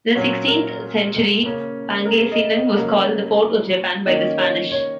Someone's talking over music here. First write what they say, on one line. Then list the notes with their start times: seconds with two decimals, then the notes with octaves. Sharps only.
In the sixteenth-century Pangasinan was called the "Port of Japan" by the Spanish.
0.15 A#2 F#3 C#4 C#5
0.48 A#4
1.45 C#3 A#3 C#4
2.05 A#4
2.11 G#4
2.32 D#5
2.54 D#5
2.76 C#3 F#3 A#3 C#4
4.06 D#3 A#3 C#4 D#5
4.39 C#5
4.72 C#5